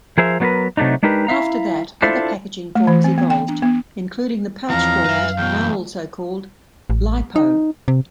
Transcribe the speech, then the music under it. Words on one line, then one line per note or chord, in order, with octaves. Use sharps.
After that, other packaging forms evolved, including the pouch format now also called "LiPo".
F3 G#4 A#4 C5 E5
F#3 B3 D#4 F4 A#4 B4
C3 F#3 A3 D4 D#4
G#3 D4 D#4 G4 A#4 B4
E4 E5 F5 A#5
D4 E4 F4 A4 C5 E5
A3
E3
C4
B3
G5
D4
B3
E2 E3 F3 C4 F5 A#5
F#2 B4 E5
E2 B2 G5
A1
D#4
C3